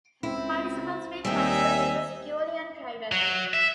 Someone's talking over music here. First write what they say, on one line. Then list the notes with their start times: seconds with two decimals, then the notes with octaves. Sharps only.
Participants may transfer data securely and privately.
0.23 C#2 C4 E4
1.25 D#2 G3 C4 D#4 C#5 E5 G#5
3.12 F#3
3.54 E5